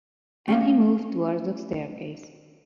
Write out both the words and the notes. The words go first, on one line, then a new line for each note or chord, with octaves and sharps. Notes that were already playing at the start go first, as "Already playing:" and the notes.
And he moved towards the staircase.
A3 C#4 F5